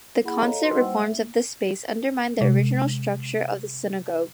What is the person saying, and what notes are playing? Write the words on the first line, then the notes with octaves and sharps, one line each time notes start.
The constant reforms of this space undermined the original structure of the synagogue.
A#3 E4 G#4 F#5 B5
A4 C#5 D#5 F5 A#5
D#4 E4 F#4 B4 D#5 C6
G3 A#3 C5 F#5 G5 E6
E5
A#3
C3 G#3